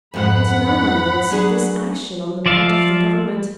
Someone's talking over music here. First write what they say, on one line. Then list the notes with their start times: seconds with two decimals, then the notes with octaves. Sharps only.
And now, my lords, this action on the part of the Government....
0.14 F2 G#2 F#5 B5
1.30 F#3 D4 G#4
2.46 F3 D5 E5 F5